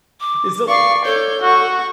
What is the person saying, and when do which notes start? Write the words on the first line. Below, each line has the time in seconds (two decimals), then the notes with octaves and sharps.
It's a l
0.21 D6
0.68 D5 F5 C#6 C7
1.05 A4 C#5 G6
1.42 F#4 F#5 C#6